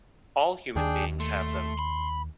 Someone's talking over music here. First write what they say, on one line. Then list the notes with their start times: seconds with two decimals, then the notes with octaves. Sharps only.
All human beings have them.
0.76 D#2 D#3 D4 G#4 G5
1.20 A3 C6
1.79 B5